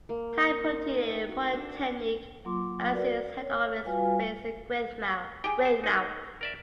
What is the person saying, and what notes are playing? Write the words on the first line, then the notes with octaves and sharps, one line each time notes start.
Tai Poutini Polytechnic has its head office based in Greymouth.
A#3
G5
C5
D#4
G#4
G5
F#4
D4
F#5
F#3 A#3 F4 C6 D6
F#4 A#4 B4 D5
C#5
G3 F4 F#4 B4 F5 G#5
G4 G#4 G5
C5
D#4
A#4 D5 E5